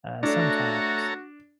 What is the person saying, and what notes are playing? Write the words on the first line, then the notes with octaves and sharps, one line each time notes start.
uh, sometimes.
A3 D4 F#4 A4 C#5 A#5